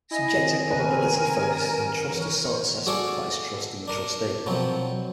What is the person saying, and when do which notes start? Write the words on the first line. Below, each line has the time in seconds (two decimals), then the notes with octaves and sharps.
Subjective probability focuses on trustor's self-assessment about his trust in the trustee.
0.11 E4 D#5 G#5 A#6
0.36 D#3 C4 G#4 D#5
0.71 D#3 C4 A#4 B4
2.14 E3 C#5
2.44 C5 C#6
2.86 F#4 G#4 A4 D5
3.88 D4 A#4
4.46 B2 F3 F#3 C4